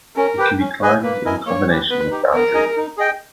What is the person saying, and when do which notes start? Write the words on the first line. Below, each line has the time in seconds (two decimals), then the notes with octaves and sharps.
It can be climbed in combination with Boundary Peak.
0.16 C#4 A#4
0.38 G4 B4 G5
0.60 C#4
0.82 G#4 B4 D#5 G#5
1.03 A#3 B4
1.25 E4 A#4 D#5 G#5
1.46 A#3 C#5
1.68 C#4 G4 B4
1.90 B3 B4
2.11 D#4 G4
2.33 B3 A#4
2.54 D#4 G#4 D#5 G#5
2.76 D#4
2.97 G#4 D#5 G5